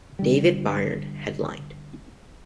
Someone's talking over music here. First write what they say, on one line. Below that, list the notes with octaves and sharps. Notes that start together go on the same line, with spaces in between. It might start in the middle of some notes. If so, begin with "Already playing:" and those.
David Byrne headlined.
D3 G3